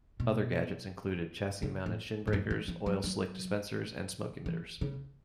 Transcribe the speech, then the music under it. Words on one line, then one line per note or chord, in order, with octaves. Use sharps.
Other gadgets included chassis-mounted shinbreakers, oil slick dispensers and smoke emitters.
B2
C#3
A2
G#2
F#2
D#3
E3
F#3
F#3
E3
C#3